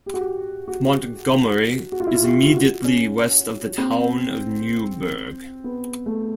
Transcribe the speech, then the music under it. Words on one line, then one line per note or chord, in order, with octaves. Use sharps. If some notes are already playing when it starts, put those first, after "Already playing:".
Montgomery is immediately west of the Town of Newburgh.
G4
F#4
G4
F#4
F#4
F4
E4
F4
G4
F4
F#4
C#4
C4
B3
A3